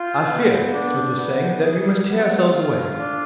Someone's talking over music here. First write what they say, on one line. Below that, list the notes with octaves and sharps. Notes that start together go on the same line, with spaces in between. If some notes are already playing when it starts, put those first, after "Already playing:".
'I fear,' Psmith was saying, 'that we must tear ourselves away.
Already playing: F4 G6
B3
D4
B3
G#4
B3
F4
D4